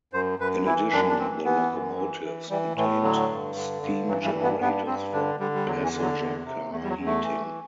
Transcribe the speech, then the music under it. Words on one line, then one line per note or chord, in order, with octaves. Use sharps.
In addition the locomotives contained steam generators for passenger car heating.
F#2 C5
F#2 B4
E3 E4
F#2 D4
D4
E3 C4
E3 B3
F#2
E3
E3
E3 G3
A2 E3
D3 F#3
G2
D3
G2
E3 F#3
G3
G2
B3
G2 B3
G2 C4
D3 D4
D3 G3
G3
E2 F#3
E3
D3
F#3
E2
C3
E2 A3
G3
F#3
E2
A3
E3